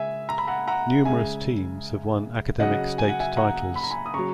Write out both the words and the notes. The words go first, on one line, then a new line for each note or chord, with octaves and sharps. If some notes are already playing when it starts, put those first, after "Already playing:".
Numerous teams have won academic state titles.
Already playing: C#3 G#3 E5 G#5
A#5
B5
F#5 A#5
F#5 A#5
C#3 G#3 E5 G#5
C#3 F#3 D#5 F#5
G#5
F#5
E5 G#5
F#5 A#5
B5
A#5
G#5 B5
D#6
C#3 F#3 A#5 C#6